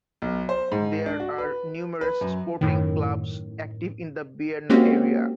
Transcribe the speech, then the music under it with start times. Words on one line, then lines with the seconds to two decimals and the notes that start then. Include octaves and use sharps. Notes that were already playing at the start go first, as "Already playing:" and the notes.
There are numerous sporting clubs active in the Bearna area.
0.22 B1
0.49 C5
0.72 G#2
1.06 D4
1.20 F#4
1.38 B4
2.01 B4
2.21 F#2
2.61 F#2 A2 D#3
4.69 G#3 A#3 C4 C#4 F#4 G4